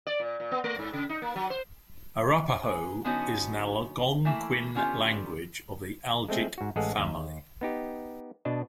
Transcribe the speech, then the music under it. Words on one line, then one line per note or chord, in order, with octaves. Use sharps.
Arapaho is an Algonquian language of the Algic family.
D5
A#2
A#2
B3
A3
G#2
C#3
D#4
A#3
F#3
C5
G#4 B4
D3 F#3 B3 C#4 D#4 F#4
E3 A3 A#3 E4
D3 B3 C#4 F4 G4
G#3 A3 C4 G#4
G#2 F#4
A1 G#3 G#4 A4 F5 F#5
D#2
B3 D#4 G4
B2 D4 D#5 A5